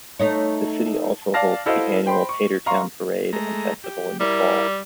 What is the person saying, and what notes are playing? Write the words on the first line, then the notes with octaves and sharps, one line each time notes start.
The city also holds the annual Tater Town Parade and festival in the fall.
A3 D#4 C#5
D5 F5 A5 A#6
E4 F#4 A4 C5 D#5 F5
C5 G5 B5 C6
C#6
F5 A#5 C6 C#6
G#3 A3 A#5
G4
G3 E4 A#4